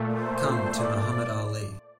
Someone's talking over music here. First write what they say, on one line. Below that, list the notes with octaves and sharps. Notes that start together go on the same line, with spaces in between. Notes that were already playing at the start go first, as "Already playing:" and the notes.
Come to Muhammad Ali.
Already playing: A#2 A3
C5
D5